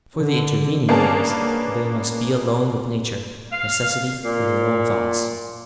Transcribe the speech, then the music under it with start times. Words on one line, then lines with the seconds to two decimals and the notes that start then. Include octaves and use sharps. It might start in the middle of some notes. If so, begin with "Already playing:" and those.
For the intervening days they must be alone with Nature, necessity, and their own thoughts.
0.18 D3
0.89 A#3 B3 C#4 D4 G#4 A5
3.52 F5
4.24 A#2